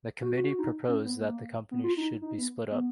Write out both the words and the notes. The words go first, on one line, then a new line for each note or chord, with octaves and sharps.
The committee proposed that the company should be split up.
F#4
F#4
F#4
D#4
C#4
B3
A#3
B3
F4
D#4
D#4
B3
B3